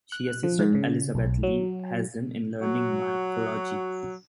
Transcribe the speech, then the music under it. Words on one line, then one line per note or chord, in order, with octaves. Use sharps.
She assisted Elizabeth Lee Hazen in learning mycology.
F#6
F3
G#2
C#3
B1
F#3
F#3 F#4